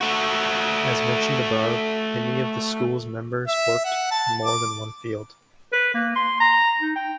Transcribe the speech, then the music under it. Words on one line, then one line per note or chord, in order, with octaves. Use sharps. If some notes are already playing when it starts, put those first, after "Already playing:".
As mentioned above, many of the school's members worked in more than one field.
A3 F#4
E5
F#5
A5
D6
B4
A#3
C6
A#5
D#4
G5